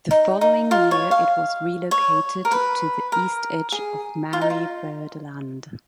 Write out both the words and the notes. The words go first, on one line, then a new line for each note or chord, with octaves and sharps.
The following year it was relocated to the east edge of Marie Byrd Land.
D#4
D#4
F4
C#5
F5
C#5
A#4
B4
A#4
G#4
F4
D#4
F4